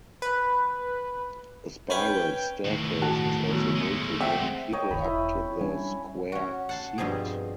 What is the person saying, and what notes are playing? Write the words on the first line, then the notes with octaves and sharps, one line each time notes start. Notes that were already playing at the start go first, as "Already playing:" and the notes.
A spiral staircase was also built to bring people up to the square seat.
B4
C#4 B4 G5
D#2 A2
F#4 A5
F#2 B2
G#3 A3
C4 E5 F#5
C#5 D#5 G5
D1 G1 D#3 B5
E1 E4
G3 C#4 D4 G#5
C#4 F#4
F#5 A5 C6
G2 B2 F3 C4 G#4